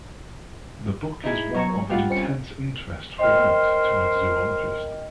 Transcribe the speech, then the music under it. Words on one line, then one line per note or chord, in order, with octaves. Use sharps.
The book is one of intense interest throughout to a zoologist.
D#4 E4 G#4
F#3 C#5 A#5 C#6
G3 F4 G4 F5 F#5
C4 C#4 C#7
A#4 C5 D#5 G5 F6